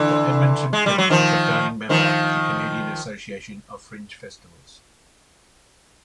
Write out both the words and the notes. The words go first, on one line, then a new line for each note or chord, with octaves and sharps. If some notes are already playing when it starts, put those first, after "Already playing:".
The Edmonton Fringe is a founding member of the Canadian Association of Fringe Festivals.
Already playing: D3 E3
G#3
G3
F#3
D#3 F3
D#3 F3